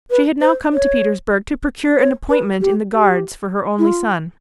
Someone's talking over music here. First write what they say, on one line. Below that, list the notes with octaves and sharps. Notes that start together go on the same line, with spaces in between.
She had now come to Petersburg to procure an appointment in the Guards for her only son.
B4
C5
C#5
C#5
B4
G4
G4
E4
F4